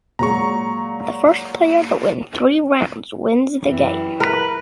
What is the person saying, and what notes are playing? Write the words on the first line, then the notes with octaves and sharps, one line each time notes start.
The first player to win three rounds wins the game.
A#2 F#3 G#3 A#5 C#6
F#2 E3 G3
A#4 B4